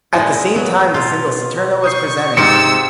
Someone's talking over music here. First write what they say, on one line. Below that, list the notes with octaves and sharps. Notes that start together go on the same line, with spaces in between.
At the same time the single "Saturno" was presented.
A#2 G#3 E4
F#3 B3
B2 F4
C#6 D#6 G6 C7
G#2 C3 C4 D#4 F4 E6 C#7